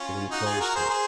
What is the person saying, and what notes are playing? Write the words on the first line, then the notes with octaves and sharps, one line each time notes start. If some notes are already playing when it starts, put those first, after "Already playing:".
It inclosed him.
Already playing: C#4 F4
D#4 F#4
F4 G#4
F#4 A#4
G#4 C5
A#4
G#4 C5